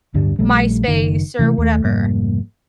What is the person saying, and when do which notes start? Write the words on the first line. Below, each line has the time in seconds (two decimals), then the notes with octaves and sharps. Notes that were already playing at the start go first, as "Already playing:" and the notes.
MySpace or whatever.
0.14 D1 G2 D3 G3
0.39 A#1 G3 A3
0.88 F#1 D#3
1.39 C3 E3 A3
1.58 D#2 A3
1.84 F1 G#2 G3 A#3